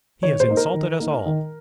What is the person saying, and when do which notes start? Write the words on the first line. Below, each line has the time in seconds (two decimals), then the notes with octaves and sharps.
He has insulted us all.
0.23 D#3 C#5
0.40 C5
0.48 A#3 D#4
0.57 A#4
0.74 D#3
1.00 A#3 D#4
1.25 D#3